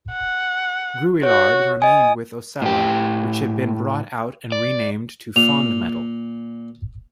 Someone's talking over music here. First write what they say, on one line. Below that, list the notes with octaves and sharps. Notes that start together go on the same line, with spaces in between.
Grouillard remained with Osella, which had been brought out and renamed to Fondmetal.
F#5
F#4 C#5
D#5 G#5 D#6
A2 G4
D5
A#2 F7